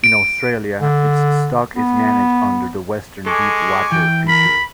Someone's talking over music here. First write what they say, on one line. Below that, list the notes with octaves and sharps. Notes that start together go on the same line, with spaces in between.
In Australia its stock is managed under the Western Deep Water Fishery.
D7
D3
B3
G#3 A4 G#5 C#6 D6
E3 G5
A#4 B5